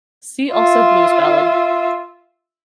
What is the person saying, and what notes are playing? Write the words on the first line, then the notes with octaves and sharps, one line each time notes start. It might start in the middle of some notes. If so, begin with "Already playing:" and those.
See also blues ballad.
F4 E5